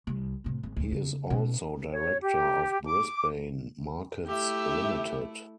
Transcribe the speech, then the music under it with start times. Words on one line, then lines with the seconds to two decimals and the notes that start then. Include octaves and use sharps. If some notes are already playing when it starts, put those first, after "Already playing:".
He is also Director of Brisbane Markets Limited.
0.07 C2
0.44 A2 C3
0.63 G#1
0.76 D2 A#2
0.92 C#3
1.30 B2 C#4
1.92 C#5
2.22 G4
2.85 D6
4.27 A3 E4 G4 E5